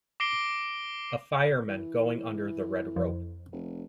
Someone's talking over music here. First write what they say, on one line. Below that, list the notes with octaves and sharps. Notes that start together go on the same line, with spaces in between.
A fireman going under the red rope.
D6 A#6 C7 D7 G7
E3
F2
F1